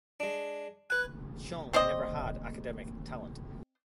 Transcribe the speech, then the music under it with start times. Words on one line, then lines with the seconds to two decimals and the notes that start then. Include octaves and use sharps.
Cheung never had academic talent.
0.20 G#3 D4
0.90 B4 G#5 F#6
1.73 C4 C5 D5 D#5